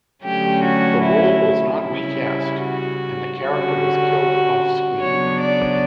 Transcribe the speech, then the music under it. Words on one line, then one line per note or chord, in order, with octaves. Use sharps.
The role was not recast, and the character was killed off-screen.
D3 F#3 A3 C#4 G4
F#4
E4
C#3 G3 C#4 E4
F#4
D3 G3 C#4 F#4
C#3 F#3 B3 D4 C#5
D5